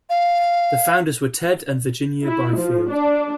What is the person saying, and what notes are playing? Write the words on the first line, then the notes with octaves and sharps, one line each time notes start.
The founders were Ted and Virginia Byfield.
F5
E4
F3
D4